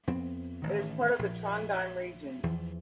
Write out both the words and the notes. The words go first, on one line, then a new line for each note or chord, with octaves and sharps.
It is part of the Trondheim Region.
F2 B3 C4
A1 D#3
A#1
E2 E3 F3